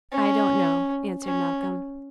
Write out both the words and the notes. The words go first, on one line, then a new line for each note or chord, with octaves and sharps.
"I don't know," answered Malcolm.
C#4
C#4